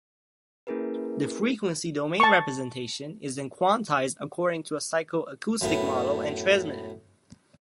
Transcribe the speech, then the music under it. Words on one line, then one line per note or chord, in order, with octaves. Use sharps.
The frequency domain representation is then quantized according to a psycho-acoustic model and transmitted.
A#3 C#4 E4 G#4 A#4 B4
A5 C#6
F#2 A2 B3